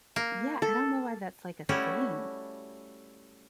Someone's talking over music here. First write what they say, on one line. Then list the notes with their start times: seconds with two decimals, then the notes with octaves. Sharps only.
Yeah, I don't know why that's, like, a thing.
0.16 A#3
0.62 A4
1.69 G3 A3 C#4 E4 F#4 G4